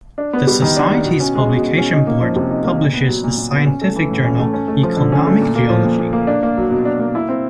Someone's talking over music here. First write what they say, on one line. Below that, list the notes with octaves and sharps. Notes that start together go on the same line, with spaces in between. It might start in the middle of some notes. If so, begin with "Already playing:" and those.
The society's Publication Board publishes the scientific journal "Economic Geology".
D4
B3
G3
D#3
D4
B3
B2
C#4
G#3
B2
B2
C#4
D#4
A#3
F3
C3
D#4
A#3
A#2
B3
F#3
A#2
A#2
B3
C#4
A3
E3
A2
C#4
A3
C#4
A3
F3
D3
C#4
A3
A#2
A#3
F3
A#2
A#2
A#3
D4
A#3
F#3
B2
D4
A#3
E4
C4